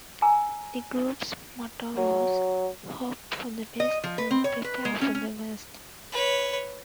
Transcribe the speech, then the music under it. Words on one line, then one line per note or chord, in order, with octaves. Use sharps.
The group's motto was "hope for the best and prepare for the worst".
G#5 A#5 E6
F#3
D#5
F3
B4
C4
C#5
B4
G#3
C#4
C#4
B4 C#5